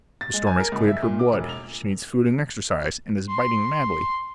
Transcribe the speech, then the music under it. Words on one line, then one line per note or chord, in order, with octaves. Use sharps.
The storm has cleared her blood; she needs food and exercise, and is biting madly.
A6
G#3
G#5
A#4
C#2
E5
A#2
D6
E1
F7
C6